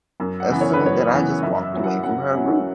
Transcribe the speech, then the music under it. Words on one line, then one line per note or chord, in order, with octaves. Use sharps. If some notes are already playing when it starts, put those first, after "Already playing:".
assumed that I just walked away from her group
F#2
F#5
C#3 E3 B3
C#5
B4
F#2 C#5
C#3 E3 B3
F#2 E5
E5
F#3 C#4 E4
F#5
F#2 F#5
F#3 C#4 E4